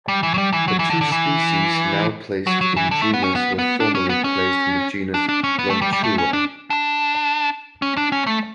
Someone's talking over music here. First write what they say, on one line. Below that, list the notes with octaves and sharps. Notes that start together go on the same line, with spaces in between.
The two species now placed in genus were formerly placed in the genus "Lonchura".
G3
E3
F#3
G3
E3
F#3
E3
D3
D3
E3
F#3
F#3
E3
D3
A3
B3
C#4
B3
B3
D4
C#4
B3
C#4
D4
D4
C#4
B3
A3
G3
G3
A3
C#4
D4
D4
C#4
D4
C#4
A3